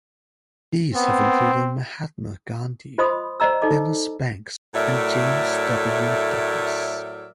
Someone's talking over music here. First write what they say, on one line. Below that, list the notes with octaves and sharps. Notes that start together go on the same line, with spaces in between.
These have included Mahatma Gandhi, Dennis Banks and James W. Douglass.
B3 C4
F4 C5 D#5 B5 C6 D#6
C5 D5 D#5 A#5 E6
D#4 A4 D#5 D6
A2 F#3 A3 A#4 D5 E5